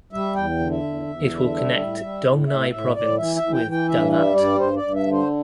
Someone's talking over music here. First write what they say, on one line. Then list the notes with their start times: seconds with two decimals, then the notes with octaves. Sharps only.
It will connect Dong Nai Province with Da Lat.
0.13 G3 E5
0.36 E2 G5
0.59 D3
0.71 E5
0.83 E2
1.07 E2
1.30 D3
1.54 G3
1.77 A2
2.00 G3
2.24 A2
2.47 A2 E5
2.71 A2 E5
2.94 A2 D5
3.18 E3 E5
3.36 E5
3.42 E3
3.53 G5
3.65 E3
3.71 G5
3.88 G2 E5
4.12 G3 E5
4.35 G2 D5
4.59 G2 C5
4.76 D5
4.82 G2
4.94 E5
5.06 D3
5.12 C5